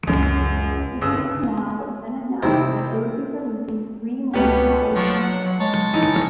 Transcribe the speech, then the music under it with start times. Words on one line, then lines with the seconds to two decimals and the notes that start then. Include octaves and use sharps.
StudioCanal then announced that it would be producing three more "Paddington" films.
0.07 C#2 F#2
1.01 G1 C#3 E6
2.43 C3 D#3 G3 E4
4.34 C#2 B2 B3 C#4 G4
4.95 F3 F#3 D4 C#5
5.20 F#5
5.44 F#3
5.60 G#3 C#5 A5
5.94 E3 D#4